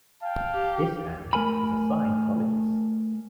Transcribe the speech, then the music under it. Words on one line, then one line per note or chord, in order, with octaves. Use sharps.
Isham is a Scientologist.
F5 G5 A5
G4
A3 A#4 G#5 B5